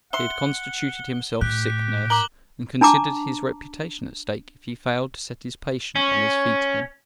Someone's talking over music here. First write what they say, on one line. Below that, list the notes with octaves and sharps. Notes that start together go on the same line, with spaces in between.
He had constituted himself sick nurse, and considered his reputation at stake if he failed to set his patient on his feet again.
E5 F#5 C6 G7
A2 G4 F#6
A#4 D6 F#7 G7
D4 A5 A#5 D6
C#4